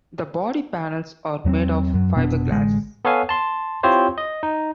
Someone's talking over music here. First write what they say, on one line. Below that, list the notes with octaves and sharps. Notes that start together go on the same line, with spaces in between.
The body panels are made of fiberglass.
E2 F#3 B3 C4
F#2 F#3
F1 B2 B3 D4
A1 D3 G#3
B3 A4 C#5 F5 G#5
A5 C6
C4 E4 F4 G4 C5 C#5
D#5
D#4